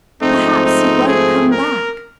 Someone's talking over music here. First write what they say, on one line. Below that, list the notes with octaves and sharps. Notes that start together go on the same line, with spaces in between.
"Perhaps you won't come back?"
G#2 F3 A3 C4 D#4
D#4
G#4
A#4